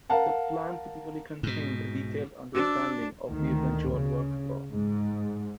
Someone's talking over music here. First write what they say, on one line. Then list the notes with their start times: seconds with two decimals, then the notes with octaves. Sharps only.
The plan typically contains a detailed understanding of the eventual workflow.
0.10 A#4 F5 F#5 A5
1.43 G#2 B2
2.55 D4 F#4 B4 C5 D6 E6
3.27 D2 D#3
3.91 C#3
4.72 G#2